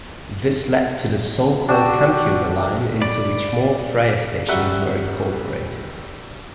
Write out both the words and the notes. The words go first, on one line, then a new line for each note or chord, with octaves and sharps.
This led to the so-called Kammhuber Line into which more "Freya" stations were incorporated.
D4 F#4 G4 E6
D5 B5
F#2 G3 F#4 E5 F#5 F#6